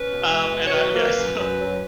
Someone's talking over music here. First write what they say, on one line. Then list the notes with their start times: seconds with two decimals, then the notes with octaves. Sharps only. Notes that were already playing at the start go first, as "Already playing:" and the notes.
um, and, uh, yeah, so
Already playing: C#4 B4
0.08 B2
0.30 G#3
0.52 B2
0.67 C#5
0.73 F#3 B4
0.95 A#3
1.16 F#2
1.38 F#2
1.60 F#3